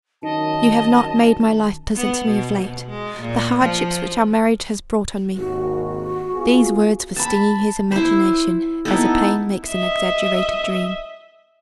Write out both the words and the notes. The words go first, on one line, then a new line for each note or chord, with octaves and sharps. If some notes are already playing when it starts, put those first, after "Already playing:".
"You have not made my life pleasant to me of late"--"the hardships which our marriage has brought on me"--these words were stinging his imagination as a pain makes an exaggerated dream.
F#2 D#3 D#5 A5
B3
B2
B2
G#3
A#2
F3
G#1 D#2 F#4
B3 F4 G#4
A5 B5
E4 C5
B3 D#4 E4 A4
D#5 E5